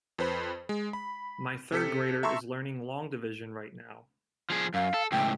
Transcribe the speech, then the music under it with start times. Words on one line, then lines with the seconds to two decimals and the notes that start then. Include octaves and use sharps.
My third grader is learning long division right now.
0.19 F2 B4 C5 B5
0.69 G#3
0.93 B5
1.72 C3 A4 B6 C#7
2.23 E5 A5 A#5 C6 C#6 E6
4.50 F3 G#4
4.74 F#2 F5
4.94 A4
5.12 C#2 A2 G5